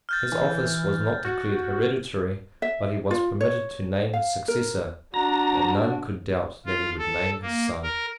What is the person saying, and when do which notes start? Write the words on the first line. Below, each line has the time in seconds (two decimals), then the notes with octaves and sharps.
His office was not declared hereditary: but he was permitted to name his successor; and none could doubt that he would name his Son.
0.09 F6 G6 A6
0.32 E3
1.25 F#4
2.62 E5
3.11 F4
3.41 C#5
4.13 F5
4.48 A#4
5.14 D4 F#4 A#5
6.66 F4
6.98 A4
7.42 A#3
7.83 A#4